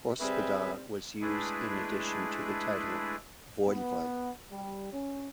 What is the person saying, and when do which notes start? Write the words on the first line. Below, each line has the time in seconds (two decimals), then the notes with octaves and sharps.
"Hospodar" was used in addition to the title "voivod".
0.20 G3 C4 G#4 B4 E5
1.21 G#3 A3 D4 E4 G#4 B4
3.68 B3
4.51 G3
4.93 C#4